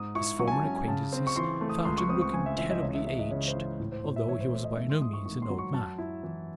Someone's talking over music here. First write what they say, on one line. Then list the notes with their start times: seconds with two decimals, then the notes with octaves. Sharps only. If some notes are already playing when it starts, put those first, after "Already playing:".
His former acquaintances found him looking terribly aged, although he was by no means an old man.
Already playing: G#2 D#6
0.15 E4 C#6
0.39 F#3 C#6
0.48 G#5
0.52 A5
0.64 C#4
0.76 G#5
0.87 C#3 A5
1.13 C4
1.27 C#6
1.36 E3 C6
1.61 A3
1.69 D#6
1.85 C#2 C6
1.98 C#6
2.09 C4 D#6
2.21 C#6
2.34 C#3 G#5
2.46 E5
2.58 E3 E5
2.70 D#5
2.82 C#2 C#5
2.95 E5
3.07 G#3 E5
3.19 D#5
3.31 C#3 C#5
3.48 C5
3.55 E3
3.80 A2
3.92 C5
4.04 A2 C#5
4.16 E5
4.28 E3 C#5
4.41 C5
4.53 A3 C#5
4.64 D#5
4.77 G#2 E5
4.89 C6
5.01 G#2 D#6
5.13 C#6
5.25 D#3 C#6
5.42 C6
5.50 F#3
5.58 C#6
5.74 F#2 A5
5.98 E4
6.23 E3